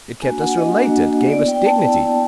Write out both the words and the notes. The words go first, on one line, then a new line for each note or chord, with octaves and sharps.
It kept us related--gave us dignity....
A#3 D4 F#4 G#5
F#5
D#5
A#3 D4 F#4
B3 E4 D5
G5
A5
B3 E4